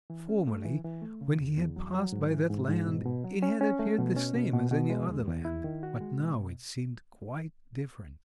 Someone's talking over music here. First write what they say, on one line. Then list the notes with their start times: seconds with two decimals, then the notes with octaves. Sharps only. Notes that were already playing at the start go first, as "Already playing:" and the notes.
Formerly, when he had passed by that land, it had appeared the same as any other land, but now it seemed quite different.
0.10 E3
0.28 C#4
0.47 A3
0.65 E3
0.84 E3
1.02 A3
1.21 C#3
1.40 E2
1.58 E2
1.76 F#3
1.94 F#3
2.12 G#2
2.31 E3
2.50 G#2
2.68 G#2
2.87 B2
3.06 B2
3.24 F#3
3.42 C#4
3.61 C#4
3.79 A3
3.98 B2
4.16 C#4
4.35 B2
4.54 B2
4.71 B2
4.90 G#3
5.08 E2
5.28 E2
5.45 E4
5.64 D#3
5.83 F#4
6.00 G#3
6.20 B2